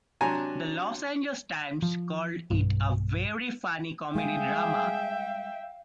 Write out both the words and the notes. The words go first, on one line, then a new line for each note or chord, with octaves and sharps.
"The Los Angeles Times" called it "a very funny comedy-drama".
C3 F#3 D4 G#5 A#5
F3
B1 G2
G3 G#3 A#3 G#4 E5 F5 G5